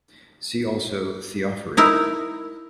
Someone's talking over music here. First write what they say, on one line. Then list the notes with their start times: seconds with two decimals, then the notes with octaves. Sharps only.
See also Theophory.
1.77 D#4 E4 A#4